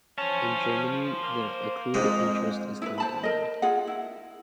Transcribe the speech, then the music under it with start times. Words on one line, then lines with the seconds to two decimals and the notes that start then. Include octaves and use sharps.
In Germany, the accrued interest is compounded.
0.18 C#4 C5 A5
1.23 A#3
1.94 F2 G#2 G#3
2.82 E4 B4
2.98 C5 A5 B5
3.23 A#4 D#5
3.62 F4 G#4 F#5
3.87 E4